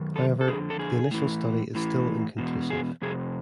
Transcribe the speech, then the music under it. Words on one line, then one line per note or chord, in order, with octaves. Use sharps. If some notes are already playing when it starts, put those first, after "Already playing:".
However, the initial study is still inconclusive.
Already playing: F#2 D#3
A4
A4
F2 D3 G#4
A4
G#4
A2 E3
A2 E3
E2 B2
G#4
F2 C3 G#4